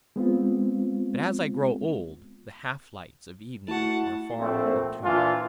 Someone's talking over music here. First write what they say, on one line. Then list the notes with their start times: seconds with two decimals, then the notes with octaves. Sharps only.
But as I grow old, the half-lights of evening are far more to me.
0.16 G#3 B3 C4 F4
3.68 A3 E4 F#4 F#5 A5
4.39 A#1 A3 C4
5.03 A#2 E3 D4 F4